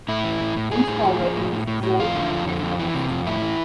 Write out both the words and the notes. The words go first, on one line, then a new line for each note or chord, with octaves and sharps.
Henceforward he was more or less a husk.
A2 E4
E3
A2
A2
A2 G#4
A2
F3
F3
A2
A2
A2
A2
F2 F4
D3
F2
D3
F2
E3
C3
F2
A2 E4
E3